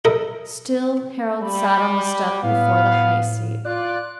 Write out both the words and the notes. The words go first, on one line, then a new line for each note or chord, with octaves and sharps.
Still Harald sat on the step before the high seat.
E4 A4 A#4 D#5
G3 B5
A2 B3 F5
F4 D5 F#6